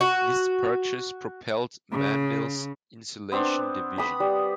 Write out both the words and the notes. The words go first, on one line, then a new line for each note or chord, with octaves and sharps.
This purchase propelled Manville's insulation division.
F#4
C#3
B3 C4 D4
B5 D#6
G3